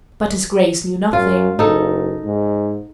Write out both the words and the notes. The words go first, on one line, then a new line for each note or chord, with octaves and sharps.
But his Grace knew nothing.
F#2 F4
F#1 D#4 A4
G#2